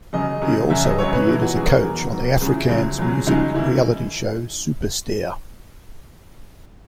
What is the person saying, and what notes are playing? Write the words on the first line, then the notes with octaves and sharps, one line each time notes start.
He also appeared as a coach on the Afrikaans music reality show "Supersterre".
F#2 C#3 F#3 D#5
F#2 C#3 F#3
F#2 C#3 F#3 E5
D#5
F#2 C#3 F#3 C#5
B4
E2 B2 F#3 E4
F#4
E2 B2 F#3 G#4
A#4
E2 B2 F#3
E2 B2 F#3
C#2 C#3 F#3 G#4
E4
C#2 C#3 F#3
C#2 C#3 F#3
C#2 C#3 F#3 D#4
D#2 C#3 E3 E4